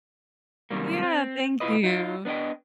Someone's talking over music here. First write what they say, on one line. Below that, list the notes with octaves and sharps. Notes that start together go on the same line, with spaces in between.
Yeah. Thank you.
F#2 C3 D#3 G3 A#3
C4
B2 E4 F4 B4 D#5
D#4 F4
B3 D4 F#4 D#5 G5